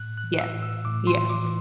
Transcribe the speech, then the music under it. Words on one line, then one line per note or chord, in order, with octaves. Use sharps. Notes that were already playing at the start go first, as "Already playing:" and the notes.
Yes. Yes.
Already playing: A2 F#6
F#6
E3
E6
A2
E6
A2 D6
C6
E3
D6
E3